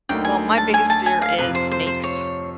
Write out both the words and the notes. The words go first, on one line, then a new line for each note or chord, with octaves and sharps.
well, my biggest fear is snakes.
D2 D3 F#3 A#3 D#4 G5
G#5
A5
G#5
A5
G#5
F5
F2 C3 F3 B4
C5
C5
C5
C#5